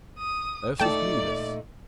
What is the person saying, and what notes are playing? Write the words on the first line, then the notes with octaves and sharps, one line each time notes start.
Ursus knew this.
D#6
A#2 A3 D#4 D5 G5 A5